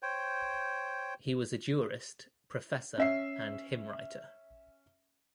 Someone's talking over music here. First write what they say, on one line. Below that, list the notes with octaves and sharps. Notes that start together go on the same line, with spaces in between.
He was a Jurist, Professor and Hymn writer.
C5 C#5 G5
C#4 E5 C7